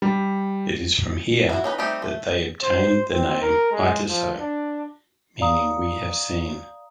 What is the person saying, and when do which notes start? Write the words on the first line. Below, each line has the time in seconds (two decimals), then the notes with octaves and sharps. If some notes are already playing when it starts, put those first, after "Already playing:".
It is from here that they obtained the name Iteso, meaning we have seen.
0.02 G3
1.49 E4 F#4
1.64 C#4 D#4 B4
1.78 G3 A3 C4 D#4 G4
2.02 A3
2.63 C5
3.12 C4
3.42 A#4
3.72 G#3
4.09 F3
4.39 D4
5.41 D5 F5 A#5 D#6